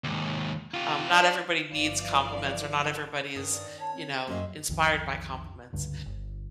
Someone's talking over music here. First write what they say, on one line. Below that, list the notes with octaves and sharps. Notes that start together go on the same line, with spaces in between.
um, not everybody needs compliments or not everybody is, you know, inspired by compliments,
D#2 G#2
F4 G4
D4
G1 E3 F3 D5 F5
G2 D#3 C#4 D#6
D5
C#5 A5
C4
F#2 A#3 C#4 F#4 G#4 C5 D#5 E5
B1 F2 D#3 F3
C#2 G2 D3
G1